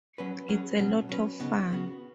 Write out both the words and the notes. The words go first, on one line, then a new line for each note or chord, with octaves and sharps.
It's a lot of fun.
F#3 C#4 B4
F#3 C#4 G#4 B4
B2 F#3 C#4
F#3 C#4 B4
C#3 B3 D#4
C#3 B3 F#4